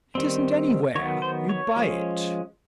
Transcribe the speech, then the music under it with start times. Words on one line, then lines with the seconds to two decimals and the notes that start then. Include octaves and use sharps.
"It isn't anywhere; you buy it."
0.15 D#3 G3 C4
0.95 D#3 F#3 B3 C#5
1.22 C5
1.49 C#5
1.76 F3 G#3 C#4